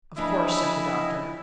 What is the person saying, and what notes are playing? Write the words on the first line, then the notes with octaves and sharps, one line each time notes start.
"Of course," said the doctor.
E3 F3 D4 E4 D#5 B5